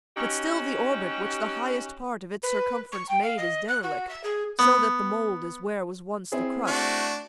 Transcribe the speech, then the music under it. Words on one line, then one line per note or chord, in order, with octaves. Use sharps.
But still the orbit, which the highest part Of its circumference made, is derelict, So that the mould is where was once the crust.
C#4 D#4 F#4 G4
B4
C#6
G5
F5
D#5
F#6
F#4
E5
G#4
B3
C4 E4 G#4
A3 D4 F#4